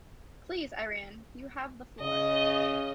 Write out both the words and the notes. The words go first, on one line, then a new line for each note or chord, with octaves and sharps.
Please, Iran, you have the floor.
C#3 D#5